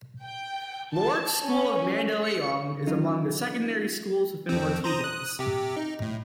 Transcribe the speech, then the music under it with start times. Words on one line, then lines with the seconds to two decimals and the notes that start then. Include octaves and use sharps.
Lourdes School of Mandaluyong is among the secondary schools within Ortigas.
0.22 G5
0.93 A5
1.41 C#4
2.23 C#7
2.87 E3 F#3 C#4 D#4 F4
4.49 F2 C4
4.84 C5 A#5 D#6
5.01 D#6 F#6
5.39 C3 G4
5.77 D#4
6.02 A2